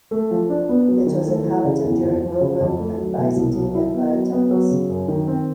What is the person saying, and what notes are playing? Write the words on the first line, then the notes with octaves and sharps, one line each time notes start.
It was inhabited during Roman and Byzantine Empire times.
A3
F3
D4
B3
F#3
D#3
A3
E3
C#3
E2
F2
F3
C#3
F2
A3
F#3
B2
C2
F#3
E4
B3
F#3
B3
F#3
C#3
F#2
D#3
C4